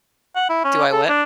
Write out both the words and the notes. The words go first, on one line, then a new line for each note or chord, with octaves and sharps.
Do I what?
F#5
E4
C#4
A4
D4